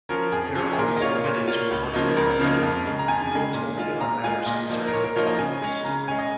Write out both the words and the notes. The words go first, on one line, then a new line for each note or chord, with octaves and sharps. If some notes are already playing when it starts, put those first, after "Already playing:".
They are always limited to a Worker-Director, who votes only on matters concerning employees.
F3 C#4 A#4
F2 G#4
F3 C#4
G#4
A#2 A#4
D#5
A#3 F4 C#5
A#2
A#3 F4
C#2
C#3 F3 A#3 D#4
C#2 A#4
C#3 F3 A#3 D#4
F2
C#3 G#3
A#5
F2 G#5
C#3 G#3
A#2
G#3 F4
A#2 A#5
G#3 F4 G#5
A#2 D#5
F3 A#3 D#4
A#4
A#2 C#5
A#4
F3 A#3 D#4 C#5
D#5
C#3 G#5
G#3 C#4
C#3 A#5
G#3 C#4 G#5
D#5